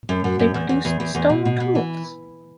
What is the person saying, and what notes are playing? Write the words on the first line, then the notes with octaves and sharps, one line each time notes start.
They produced stone tools.
F#2
F#2
F#2
E2
E2
E2
E2
E2
B2
B2
B2
E3